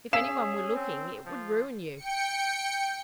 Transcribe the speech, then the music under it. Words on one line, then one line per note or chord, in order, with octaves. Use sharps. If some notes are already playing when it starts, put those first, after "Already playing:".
If any one were looking, it would ruin you.
C#4 G#4 F5 E6 B6 E7
C4
F3
G5 C#7